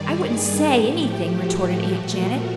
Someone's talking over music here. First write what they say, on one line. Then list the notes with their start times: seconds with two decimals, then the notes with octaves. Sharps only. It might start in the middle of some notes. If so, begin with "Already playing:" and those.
"I wouldn't SAY anything," retorted Aunt Janet.
Already playing: G2 D#3 G3 G#4 D5
0.74 A2 F3 A3 G4
1.34 F#4
1.64 F#4
1.94 A#2 F3 A3
2.24 A#4